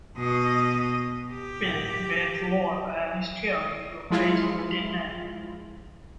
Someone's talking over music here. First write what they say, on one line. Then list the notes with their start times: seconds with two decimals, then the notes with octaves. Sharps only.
Philip bent lower, and stared into the face of the dead man.
0.17 B2 D#5
1.32 G4
4.10 F3 G#3 E4 F4